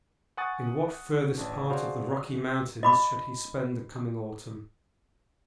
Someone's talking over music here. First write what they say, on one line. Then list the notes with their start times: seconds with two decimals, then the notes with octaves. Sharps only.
In what furthest part of the Rocky Mountains should he spend the coming autumn?
0.37 F#5 G#5 C#6 D#6 F#6 A6
1.38 A1 D4
1.69 D4 F#4 G#4 C5 D5 F5
2.83 D#5 B5 D6